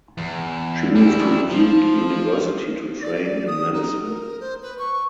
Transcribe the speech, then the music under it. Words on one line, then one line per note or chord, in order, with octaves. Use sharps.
She moved to Duke University to train in medicine.
E2
G3 E4
F3
D5
D#6
D#4
A#4
C5
B4
C#6